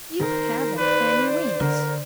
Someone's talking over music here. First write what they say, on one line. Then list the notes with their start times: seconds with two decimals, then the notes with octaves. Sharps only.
"You haven't any wings."
0.20 D#3 A#4 C5
0.78 B4 C5 D5
1.60 D3 A#4